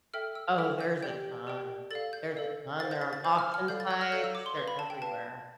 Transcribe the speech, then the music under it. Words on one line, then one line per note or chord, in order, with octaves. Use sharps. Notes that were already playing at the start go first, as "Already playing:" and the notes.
Oh, there's a ton. There's a ton they're on auction sites, they're everywhere.
A4 E5 G5 F6
E6
A4 E5 G5 F6
G6
G4 D5 G5 G6
G4 D5 G5
A4 D5 F5 A6
G6
A4 D5 F5
C5 F5 A6
G6
A6
A6
C5 F5 G6
F6
F6
A4 D5 F5 G6
A6
G6
F6
A4 D5 F5 G6
E6
D6
C6
B4 F5
B5
A5
G5
B4 F5 A5